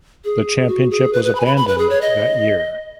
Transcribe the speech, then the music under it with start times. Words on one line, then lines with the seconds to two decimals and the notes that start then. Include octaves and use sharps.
The championship was abandoned that year.
0.25 G#4
0.68 F#4
0.91 G#4
1.13 B4
1.24 B4
1.35 B5
1.40 G#5
1.45 B5
1.57 B5
1.68 B4
1.78 G#4
1.90 C#5
2.01 D#5